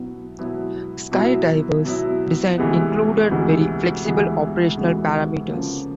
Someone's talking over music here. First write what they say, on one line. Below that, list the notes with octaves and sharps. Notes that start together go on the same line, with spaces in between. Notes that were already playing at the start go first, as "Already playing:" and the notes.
Skydiver's design included very flexible operational parameters.
Already playing: B2 F#3 B3 E4
B2 F#3 B3 E4
B2 F#3 B3 E4
B2 F#3 B3 E4
D2 C3 E3 G#3 B3
D2 C3 E3 G#3 B3
D2 C3 E3 G#3 B3
D2 C3 E3 G#3 B3
C#3 F3 A#3